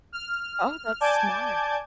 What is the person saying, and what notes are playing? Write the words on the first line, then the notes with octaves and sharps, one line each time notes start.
Oh, that's smart.
F6
D5 G#5 A5 D6 G6 G#6